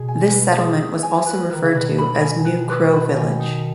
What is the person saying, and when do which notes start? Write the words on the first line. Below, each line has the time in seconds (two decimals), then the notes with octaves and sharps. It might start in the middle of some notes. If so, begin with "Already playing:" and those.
This settlement was also referred to as New Crow Village.
Already playing: B2 G#4
0.08 G#5
0.31 B4
0.56 G#4
0.79 G#4
1.03 G#5
1.26 B4
1.50 D#3 B4
1.62 C#3
1.73 B2 D#3 B4
1.98 B5
2.21 G#5
2.45 B4
2.70 B4
2.92 B5
3.17 G#5
3.40 D#4